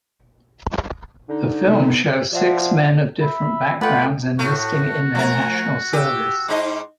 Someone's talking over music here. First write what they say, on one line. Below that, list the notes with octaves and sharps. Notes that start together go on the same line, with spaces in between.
The film shows six men of different backgrounds enlisting in their National Service.
D3 D#4
C3 B3
F3 D5 E5 F#5
E5 B5
A3 F4 B4 D5 F#5 G5 B5
A2 A3 F#4 C#6
F3 A3 A#4 G#5
G4 E6
G#2 D#4 E4 D#5 C6 D6